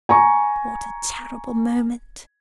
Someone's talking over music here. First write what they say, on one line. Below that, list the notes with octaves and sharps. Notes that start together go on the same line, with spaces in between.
"What a terrible moment!"
G#5 A#5 C#6